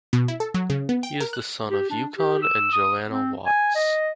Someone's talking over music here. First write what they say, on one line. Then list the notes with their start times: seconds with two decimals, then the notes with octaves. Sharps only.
He is the son of Yukon and Joanna Watts.
0.13 B2
0.28 E4
0.40 A4
0.54 F#3
0.70 C#3
0.89 B3
1.03 G5
1.20 A#4
1.33 F#6
1.71 G4
1.90 D4
2.18 G4
2.42 E6
2.73 D#6
3.08 C4
3.46 G#5
3.76 D#5